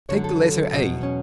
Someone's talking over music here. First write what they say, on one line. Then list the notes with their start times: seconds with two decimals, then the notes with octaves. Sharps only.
Take the letter a.
0.09 F#2 D3 F#3 C#5
0.24 A4
0.72 E2 B2 F#3
0.96 B3
1.03 C#4